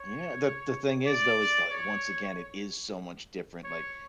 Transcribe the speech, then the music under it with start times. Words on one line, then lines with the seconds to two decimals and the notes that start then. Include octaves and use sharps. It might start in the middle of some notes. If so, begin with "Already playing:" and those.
Yeah. The the thing is, though, is that, once again, it is so much different. Like,
Already playing: C#5
1.06 D5
1.70 C#5
3.64 C#5